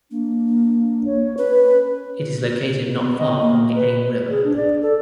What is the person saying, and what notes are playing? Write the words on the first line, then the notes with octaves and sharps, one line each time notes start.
It is located not far from the Ain River.
A#3 D4
C#5
C#4 B4
B3
D#5
A#3
B4
G#4
D4
D5
A4